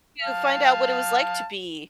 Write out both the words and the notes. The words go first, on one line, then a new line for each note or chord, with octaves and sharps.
to find out what it was like to be
F5 A5